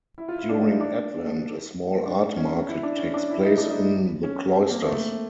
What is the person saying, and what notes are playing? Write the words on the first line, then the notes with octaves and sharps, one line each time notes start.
During Advent, a small art market takes place in the cloisters.
E4
F4
E4
D4
D#4
D4
D4
C#4
E4
D4
C#4
D4
E4
D#4
D4
D#4
C#4
C4
A#3
A3